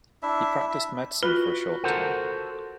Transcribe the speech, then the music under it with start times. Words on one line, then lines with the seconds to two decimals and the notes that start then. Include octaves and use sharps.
He practised medicine for a short time.
0.23 D4 E4 E5
0.70 E5
1.23 F4 F#4 B4
1.84 A4 A#4 C5 F#5